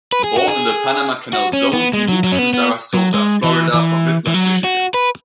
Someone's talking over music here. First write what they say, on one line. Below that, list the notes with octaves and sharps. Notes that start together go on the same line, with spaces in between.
Born in the Panama Canal Zone, he moved to Sarasota, Florida from Midland, Michigan.
B4
G#4
F#4
G#4
F#4
C#4
B3
G#3
F#3
F#3
C#4
B3
B3
F#3
G#3
E3
E3
E3
F#3
F#4
B4